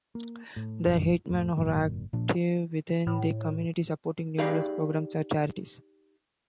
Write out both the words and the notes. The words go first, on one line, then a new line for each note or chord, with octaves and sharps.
The Hitmen are active within the community, supporting numerous programs and charities.
A#3
A2
F1 A#1 F#2
F2 A2
G#1 F#2 A#2 D3
A#2 F3 D4
A2
D#4 G4 G#4 B4 D5 F5